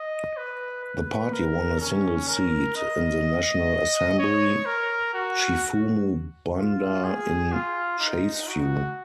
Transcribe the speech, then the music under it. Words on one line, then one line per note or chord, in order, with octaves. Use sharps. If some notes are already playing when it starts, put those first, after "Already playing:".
The party won a single seat in the National Assembly, Chifumu Banda in Chasefu.
Already playing: D#5
B4
B4
A#4
C#4
A#4
D#5
C#5
A#4
F#4
F4
G#4
F4
D#4
F#4